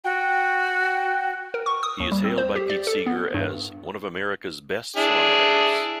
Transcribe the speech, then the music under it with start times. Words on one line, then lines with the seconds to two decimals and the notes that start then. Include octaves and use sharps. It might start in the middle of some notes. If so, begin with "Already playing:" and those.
He is hailed by Pete Seeger as "one of America's best songwriters".
0.04 F#4 G5
1.54 A#4
1.66 C#6
1.83 D#6
2.00 D#2
2.12 G3
2.24 C4
2.38 C5
2.56 G4
2.70 D5
2.87 A4
3.06 B3
3.34 G2
4.97 D4 E4 G#4